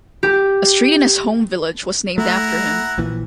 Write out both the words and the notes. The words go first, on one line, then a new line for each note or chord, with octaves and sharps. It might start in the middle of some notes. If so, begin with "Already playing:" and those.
A street in his home village was named after him.
G4
A3 E4 F#5 A#5
A#1 A#2 E3